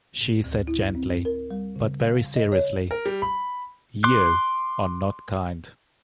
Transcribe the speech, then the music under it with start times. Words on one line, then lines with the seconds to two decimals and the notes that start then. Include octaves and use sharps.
She said gently, but very seriously, "you are not kind."
0.21 A2
0.44 D2
0.67 E4
0.95 C4
1.25 A#4
1.51 G3
1.76 C#3
2.02 F5
2.36 D#5
2.52 C#5
2.91 A#4
3.06 G3
3.22 B5
4.04 C6 D6 F#6